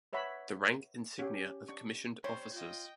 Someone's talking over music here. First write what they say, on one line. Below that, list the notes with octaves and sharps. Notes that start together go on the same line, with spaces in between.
The rank insignia of commissioned officers.
B4 C#5 E5 F#5 B5
C#4 G4
D4 C#6
G3 C4 C#4 C5 C#5
F4 D#5 G5